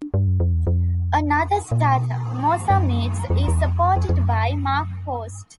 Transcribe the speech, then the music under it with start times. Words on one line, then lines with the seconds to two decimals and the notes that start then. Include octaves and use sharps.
Another startup, Mosa Meats, is supported by Mark Post.
0.14 G2
0.27 F#2
0.40 F2
0.53 E2
0.67 F2
1.71 A#2
1.98 B2
2.25 A#2
2.42 A2
2.52 G#2
2.60 G2
2.70 G2
2.78 F#2
3.30 F2
3.48 E2
3.65 F2
3.83 F#2
3.96 F2
4.09 F2
4.23 F#2
5.31 G2